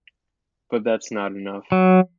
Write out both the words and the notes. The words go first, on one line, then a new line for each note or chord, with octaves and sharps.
But that's not enough.
F#3